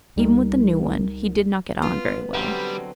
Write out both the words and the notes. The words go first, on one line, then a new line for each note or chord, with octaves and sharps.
Even with the new one he did not get on very well.
C#2 G3 D#4 A#4
B3 F4
D3 F#3 G3 C4 B4